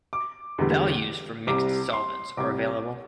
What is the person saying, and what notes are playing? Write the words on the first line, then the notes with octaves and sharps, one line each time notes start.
Values for mixed solvents are available.
D6
E2 D3 G3
C2 C3 G3 D6
C6
C2 C3 G3 D6